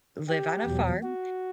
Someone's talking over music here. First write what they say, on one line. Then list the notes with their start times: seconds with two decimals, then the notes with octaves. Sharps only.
live on a farm,
0.28 G4
0.65 E2 B2 F#3
1.03 F#4